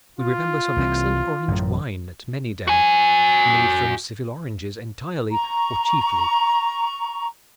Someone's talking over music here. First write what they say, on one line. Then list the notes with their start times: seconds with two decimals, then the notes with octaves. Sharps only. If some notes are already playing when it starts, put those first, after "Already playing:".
We remember some excellent orange wine at Manydown, made from Seville oranges, entirely or chiefly.
0.19 F4
0.76 C2 E3 C4
1.48 A1 F#2 A2
2.68 F#4 G#5
5.31 A#5 C#6